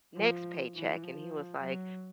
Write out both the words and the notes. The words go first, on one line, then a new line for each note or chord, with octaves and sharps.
next paycheck.” And he was like,
F3
E3
F3
F#3